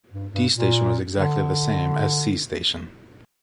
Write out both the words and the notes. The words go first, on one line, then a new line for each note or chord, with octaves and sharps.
D station was exactly the same as C station.
G2
G2
A#2
D3